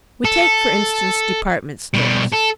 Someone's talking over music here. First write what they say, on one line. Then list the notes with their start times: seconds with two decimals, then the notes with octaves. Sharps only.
We take, for instance, department stores.
0.25 A4
1.95 B2 G3
2.33 A4